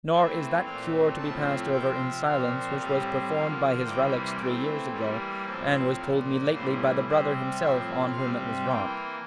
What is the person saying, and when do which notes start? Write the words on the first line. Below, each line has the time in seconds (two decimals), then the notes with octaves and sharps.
Nor is that cure to be passed over in silence, which was performed by his relics three years ago, and was told me lately by the brother himself, on whom it was wrought.
0.12 E3 A3 C4 E5
0.65 A#2 A3 C4 F5
1.17 A2 F3 A3 C4 A5
1.71 C3 F3 C4 G5
2.25 A#2 F3 C4 F5
2.77 A2 G3 C4 F5
3.31 D3 F3 A#3 F5
3.84 C3 E3 G3 A#3 G5
4.39 E3 A3 C4 G5
4.91 E3 G3 A#3 A4
5.45 A2 F3 C4 A4
5.98 A#2 F3 A#3 A#4
6.51 A2 E3 G3 C5
7.06 C3 G3 C4 C5
7.58 A2 F3 C4 E5
8.11 C3 G3 C4 F5
8.65 E3 A#3 G5